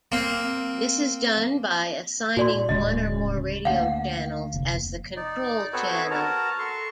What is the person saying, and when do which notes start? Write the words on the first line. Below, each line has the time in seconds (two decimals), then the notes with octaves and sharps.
This is done by assigning one or more radio channels as the "control channel".
0.12 A#3 C4
2.37 A#2 F#4 D5 C6
2.69 D1 C#3 G#3 D#5
3.65 D2 A#3 F5 F#5
4.54 F1
5.16 D#4 D5
5.73 B3 C4 F#4 A4 B4 C#5
6.11 F#4 A#4 A5 A#5
6.59 A4 C6 C#6